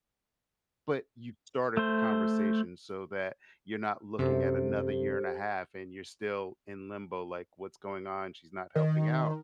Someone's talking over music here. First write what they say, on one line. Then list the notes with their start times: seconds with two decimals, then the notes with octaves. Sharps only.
But you started the conversation so that you're not looking at another year and a half, and you're still in limbo, like, what's going on? She's not helping out.
1.77 A3 C5
4.19 F#2 C3 G4 A4 C5
8.75 D#3